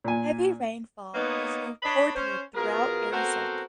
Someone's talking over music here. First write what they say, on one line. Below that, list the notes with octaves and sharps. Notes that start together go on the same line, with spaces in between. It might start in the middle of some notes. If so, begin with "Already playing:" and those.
Heavy rainfall was reported throughout Arizona.
A#2 G#5
A#3 B3 D#4 B4 C#5 D#5
D4 C#5 D#5 B5
C#4 C5
B2 F4 G#4 A#4
B3 C4 F#4 A4 A#4 C5